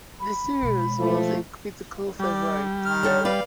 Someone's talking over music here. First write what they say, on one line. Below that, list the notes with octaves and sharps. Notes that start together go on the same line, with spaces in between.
The series was a critical favorite.
B5
B2 G#3
F3 A3
G3 D5
D#3 F6
D3 A4 C#5
B4 D5 F5